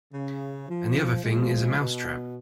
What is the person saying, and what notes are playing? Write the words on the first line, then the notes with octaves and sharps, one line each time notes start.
And the other thing is a mouse-trap.
C#3
F3
F3 G#3
B2